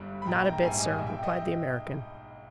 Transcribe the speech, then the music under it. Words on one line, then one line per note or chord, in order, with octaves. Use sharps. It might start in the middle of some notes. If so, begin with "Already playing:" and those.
"Not a bit, sir," replied the American.
Already playing: G1 G2 G3
B5
A#1 G5 A#5
G5 A#5
G#2 G3 E5 G#5
D#5 G5
B1 E5
G5
E5
D#5 G5